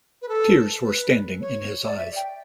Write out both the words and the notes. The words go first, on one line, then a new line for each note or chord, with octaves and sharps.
Tears were standing in his eyes.
B4
A4
B4
C#5
D5
E5
G5